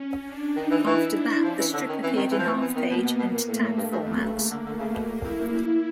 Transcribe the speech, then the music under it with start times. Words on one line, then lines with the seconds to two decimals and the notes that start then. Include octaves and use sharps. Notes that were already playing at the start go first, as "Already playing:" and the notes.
After that, the strip appeared in half page and tab formats.
Already playing: C#4
0.27 D4
0.56 D#3 D#4
0.71 E3
0.86 E3 E4
1.15 D4
1.44 F3 C#4
1.59 E3
1.73 D3
1.88 D#3
2.03 E3 C4
2.16 D#3
2.31 E3
2.39 F3
2.46 E3
2.60 E3 B3
2.76 D#3
2.90 B2 A#3
3.05 B2
3.18 B2 A#3
3.34 A#2
3.48 A2 A3
3.63 A2
3.77 G2 A3
3.92 G2
4.06 F2 A3
4.16 F#2
4.25 G2
4.36 C#3 A#3
4.51 D3
4.65 D3 A3
4.79 C#3
4.94 B2 A#3
5.09 A#2
5.23 F2 E4
5.39 F#2
5.52 F#2 E4